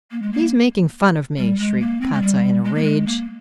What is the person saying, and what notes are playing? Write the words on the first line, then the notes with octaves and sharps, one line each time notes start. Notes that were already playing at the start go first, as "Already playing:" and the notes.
'He is making fun of me!' shrieked Kostiei in a rage.
A#3
G#3
A#3
G3
G#3
A#3
C4
G#3
G3
G#3
A#3
G#3
A#3